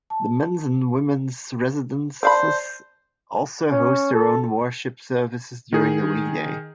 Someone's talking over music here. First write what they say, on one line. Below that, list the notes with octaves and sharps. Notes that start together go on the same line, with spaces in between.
The men's and women's residences also host their own worship services during the weekday.
A5
C4 C5 D5 F5 A5 B5 C6
C#4
A4
D#3 G#4